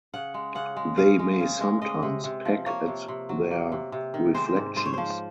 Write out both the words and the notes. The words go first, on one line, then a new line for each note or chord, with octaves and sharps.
They may sometimes peck at their reflections.
C#3 F#5
G#3
C#3 F#5
G#3
C#3 F5
G#3
C#3
G#3
G#3 D#5
C3
C3
F3
A#3 C#5
C3
C3
F#3
A#3
C3
C3
D#3
G#3 C5
G#2
G#2 C5
C#5
F3 C5